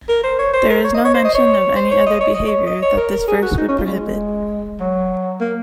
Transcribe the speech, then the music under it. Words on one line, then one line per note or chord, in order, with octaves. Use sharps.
There is no mention of any other behavior that this verse would prohibit.
A#4
C5
C#5
C5
A#4
C#5
D#5
C#5
C5
D#5
C#5
C5
C#5
D#5
C#5
D#5
C#5
D#5
C#5
A#4
A#4
G#4
F#4
D#4
C#4
F4
G#3
F#3
A#3